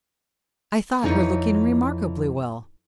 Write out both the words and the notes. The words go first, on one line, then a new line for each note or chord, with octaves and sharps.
'I thought her looking remarkably well.
F2 E3 D#4 E4 G4 C#5